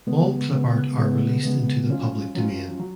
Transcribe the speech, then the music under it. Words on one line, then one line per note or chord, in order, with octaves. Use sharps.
All Clipart are Released into the Public Domain.
C#3 G#3 B3
C#3 G#3 B3
C#3 G#3 B3
C#3 G#3 B3
F#3 C#4 F4
F#3 C#4 F4
F#3